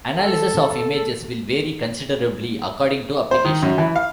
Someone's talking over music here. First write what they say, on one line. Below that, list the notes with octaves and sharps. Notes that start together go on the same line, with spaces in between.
Analysis of images will vary considerably according to application.
A4
C5
D#3
F#2
E3
F5